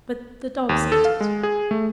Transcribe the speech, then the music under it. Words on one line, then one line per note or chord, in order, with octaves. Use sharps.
But the dogs ate it.'
D#2
A4
F5
G#3
G#4
A3